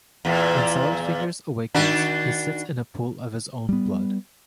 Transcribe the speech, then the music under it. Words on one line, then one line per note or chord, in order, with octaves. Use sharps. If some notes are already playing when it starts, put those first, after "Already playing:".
When Salad Fingers awakens he sits in a pool of his own blood.
E2 A#2
D#3 D4 F#4
G3 B3